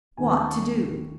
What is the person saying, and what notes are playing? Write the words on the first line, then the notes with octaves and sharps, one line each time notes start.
"What to do?"
D#2 D#3 A3 C#4 G#5
A5
C#6